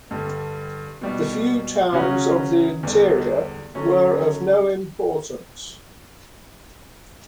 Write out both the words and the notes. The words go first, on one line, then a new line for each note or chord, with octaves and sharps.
The few towns of the interior were of no importance.
G2 D3 G3
B2 G3 D4
C#3 F#3 C#4 F#4
E2 D3 G3 D4
D3 F#3 C#4